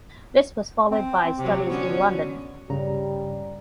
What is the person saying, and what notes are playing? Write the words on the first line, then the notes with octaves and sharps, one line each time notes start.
This was followed by studies in London.
C4
C3 F#3 G4
D3 B3 C#4 F#4
G2 C#3 G3 A#5